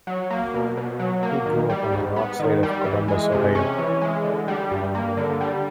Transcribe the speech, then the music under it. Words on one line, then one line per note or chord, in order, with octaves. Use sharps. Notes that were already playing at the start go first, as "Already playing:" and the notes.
He grew up on the north side of Columbus, Ohio.
F#3
A#3
B2
B2
F#3
A#3
D#3
G3
G#2
B3
D#3
G3
E3
G#3
C3
C#4
E3
G#3
D3
G3
G2
A#3
D3
G3